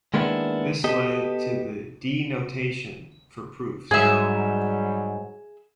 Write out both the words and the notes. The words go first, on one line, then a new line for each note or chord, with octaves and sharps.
This led to the "D-notation" for proofs.
D#3 G#3 A#3 B3 D4 E4
B3 G4 A4 D#5
G#2 F#3 G3 G#4 E5 G#6